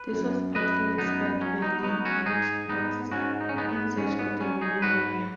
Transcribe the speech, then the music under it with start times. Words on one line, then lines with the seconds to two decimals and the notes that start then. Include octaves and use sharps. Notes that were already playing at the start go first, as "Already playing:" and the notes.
This was partly inspired by Lane and Worth's "In Search of the Woman Warrior".
Already playing: B4
0.13 F#2
0.55 F#2 B4 D#5
0.98 F#2 B3 D#4
1.40 F#3 C#4
1.62 B3 D#4
1.83 F#3 B3 D#4
2.05 C#4 F#4
2.26 G#2 D#4 G#4
2.69 G#2 B3 D#4
3.11 G#2 C#4 F#4
3.41 D#4
3.49 C#4
3.55 G#2 B3 D#4
3.69 B3
3.97 G#2 C#4
4.19 B3
4.40 F#3 C#4
4.61 D#4 G#4
4.82 G#2 F#4 B4